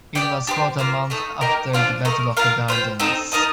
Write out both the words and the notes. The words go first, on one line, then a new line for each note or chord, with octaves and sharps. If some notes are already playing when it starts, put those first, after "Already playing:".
It was fought a month after the Battle of the Dardanelles.
G4 D5 G5
D4 G4 C5
A#3 F4 C5
A3 D#4 A4
A#3 D#4 G4 A#4
D4 F4 C5
A3 D#4 A#4
D4 F4 A#4 F5
F4 C5 G5
C4 D#4 A4
D#4 A#4 D#5 A5